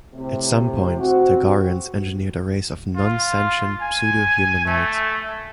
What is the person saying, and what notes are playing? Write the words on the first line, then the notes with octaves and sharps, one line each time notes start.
At some point, Tagorians engineered a race of non-sentient "pseudo-humanoids".
A2 C3
C4 F#4
F4
G#5
A3